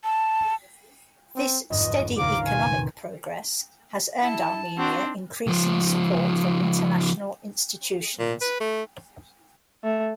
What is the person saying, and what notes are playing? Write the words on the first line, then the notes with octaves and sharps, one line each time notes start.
This steady economic progress has earned Armenia increasing support from international institutions.
A5
C4
G1 F2 G#2 D#5
D#2 C#3 F5 A#5 D6
B2 C4 G#5
E4 A5
C4 D4 F#4
C#2 F3
A#2
B4
A3
A3